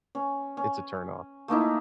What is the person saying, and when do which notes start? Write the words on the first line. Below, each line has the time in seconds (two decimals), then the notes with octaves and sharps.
it's a turnoff.
0.15 C#4
0.57 C#4
1.48 A3 A#3 D#4 E4